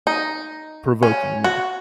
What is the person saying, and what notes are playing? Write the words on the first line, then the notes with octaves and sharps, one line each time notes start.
provoking me.
D#4
C#4
F#4